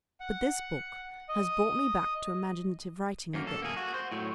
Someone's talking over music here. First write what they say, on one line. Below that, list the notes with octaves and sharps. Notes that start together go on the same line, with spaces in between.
But this book has brought me back to imaginative writing again.
F#5
D#5
F#2 A#3
A4
A#3 G#4
F#4
C5
A2 F#3